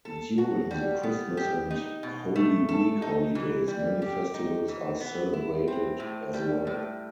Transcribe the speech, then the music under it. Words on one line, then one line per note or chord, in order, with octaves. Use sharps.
During the Christmas and Holy Week holidays many festivals are celebrated as well.
A4
F#4
G3
B3
G4
D#4
B2
A3
A4
D#4
E3
G3
G4
D#4
E3
B3
E4
C4
A2
G3
A2